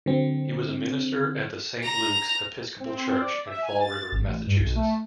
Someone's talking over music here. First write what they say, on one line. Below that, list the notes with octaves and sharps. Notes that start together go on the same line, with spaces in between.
He was a minister at the Saint Lukes Episcopal Church in Fall River, Massachusetts.
D3 F#3 C4
A#5
C4
C4
D5
E5
G#5
A6
G#1
A1
G2
B1
A3